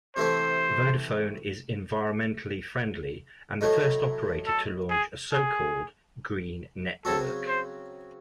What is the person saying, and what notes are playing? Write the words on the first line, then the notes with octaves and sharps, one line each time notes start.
Vodafone is environmentally friendly and the first operator to launch a so-called Green network.
C3 E3 A3 C4 E4 C5
A2 F#3 A3 D#4
A4
G#4
G#4
C#3 F#3 C4 F#4 A4
C5